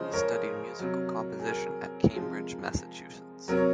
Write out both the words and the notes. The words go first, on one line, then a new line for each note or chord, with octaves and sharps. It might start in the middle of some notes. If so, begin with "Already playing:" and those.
He studied musical composition at Cambridge, Massachusetts.
Already playing: C#3 F3 G#3 C5 D#5
A#4 C#5
C3 F#3
G#4
A#4
C3 F3 G#3
C3 F#3 A#4
C#5